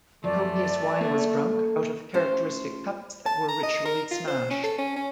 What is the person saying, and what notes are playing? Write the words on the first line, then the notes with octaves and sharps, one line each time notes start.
Copious wine was drunk, out of characteristic cups that were ritually smashed.
F#2 F3 A3 D5
A#3 A4 E5
A3 C#4 F4 G4 C5
A5
A#5
D#5
A#4
F4
C5
C#4
A4
C#4
C#4